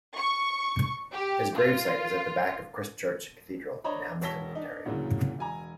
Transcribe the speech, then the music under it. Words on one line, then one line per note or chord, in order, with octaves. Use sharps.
His gravesite is at the back of Christ Church Cathedral in Hamilton, Ontario.
C#6
G4
F4
D4 C5 C#5 D#5 A#5 B5
E1 C#5 A5 A#6 B6 G7
D4 D#4
D2 A#2 C#3 E3 F#3
E1 G#5 A#5